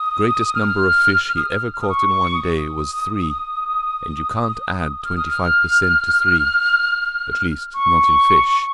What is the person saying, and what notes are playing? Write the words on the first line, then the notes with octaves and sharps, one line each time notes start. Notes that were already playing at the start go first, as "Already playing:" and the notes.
The greatest number of fish he ever caught in one day was three, and you can't add twenty-five per cent. to three--at least, not in fish.
Already playing: D#6
F6
D#6
F6
F6
D#6
C#6
D#6
F6
D#6
F6
C#6